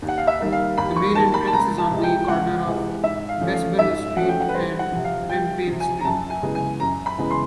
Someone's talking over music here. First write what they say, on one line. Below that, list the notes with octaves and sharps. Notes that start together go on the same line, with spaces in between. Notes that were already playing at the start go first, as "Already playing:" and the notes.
The main entrance is on the corner of Bessborough Street and Rampayne Street.
D#2
F#5
F5
E5
D#3 G3 A#3
F5
D#2 B5
C#6
D#3 G3 A#3 A5
B5
A5
C#2 A#5
A5
C3 E3 G#3
G5
C#2 F#5
C3 E3 G#3
G#2 E5
F5
F3 A3 C#4
F5
G#2 E5
F3 A3 C#4 F#5
G5
F#5
B4
C2 C5
F#5
C3 F3
F5
C2 G5
C3 F3
G#5
A#5
F#2 A5
G#5
C#3 E3 G#3 B3
G#5
F#2 A#5
B5
C#3 E3 G#3 B3
C6